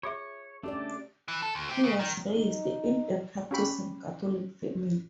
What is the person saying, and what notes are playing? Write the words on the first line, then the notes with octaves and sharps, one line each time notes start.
He was raised in a practicing Catholic family.
F4 G#4 C#5 E5
A3 C#4 D4 G4 D5
E3
A4
D2
C4 G4
C#3
D#3
D#4
C#4 G4 B5